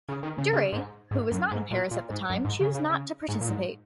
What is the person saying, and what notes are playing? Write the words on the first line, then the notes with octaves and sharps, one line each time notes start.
Durey, who was not in Paris at the time, chose not to participate.
C#3
D#3
C#3
C#3
G#2
G#2
F#2
G#2
A#2
A#2
G#2
F#2
G#2
C#3
C#3
C#3
G#2
A#2
G#2